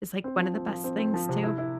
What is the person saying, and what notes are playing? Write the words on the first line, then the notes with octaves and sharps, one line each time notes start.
is, like, one of the best things, too?
C4
F3
C4
F3
C4
C4
F3
C3
E4
E4